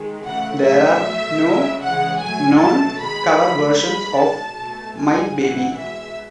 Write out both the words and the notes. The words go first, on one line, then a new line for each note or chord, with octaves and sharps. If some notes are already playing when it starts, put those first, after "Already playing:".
There are no known cover versions of "My Baby".
Already playing: D#3 G#3
C#3 E3 A3 F#5
B2 F#3 A3 E5
B2 A3
C#3 G#3
C#3 E3 G#3 F#5
A2 F#3 A3 G#5
B2 F#3 A3 A5
D#3 G#3 B5
C#3 F#3 A3 B5
D#3 G#3 B5
B2 G#3 A5
B2 A3
A2 G#3 G#5
A2 E3 A3 F#5
B2 G#3 E5